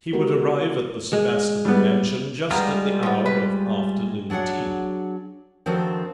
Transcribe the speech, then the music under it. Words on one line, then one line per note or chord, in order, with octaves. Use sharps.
He would arrive at the Sebastable mansion just at the hour of afternoon tea.
G#3 B3 F#4 G4 A#4
G#3
G3 B3
G3 G#3 B3 F4 A#4
F3 B3
B4
F#3 D4 F#4 G#4 F#5
D#3 F3 C4 D4 F#4 A4